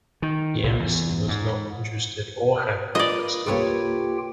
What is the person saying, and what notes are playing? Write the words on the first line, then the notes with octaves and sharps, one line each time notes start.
The Embassy was not "interested or happy" but still did it.
D#3
C2
E2
G#2
A#3 F4 B4 D5 D#5
C2 A#3 F4 G4 A4 B4 C#5 G5